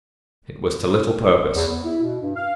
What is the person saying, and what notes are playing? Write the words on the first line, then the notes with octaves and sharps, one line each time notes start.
It was to little purpose.
E2
B3
E4
B2
G2
F5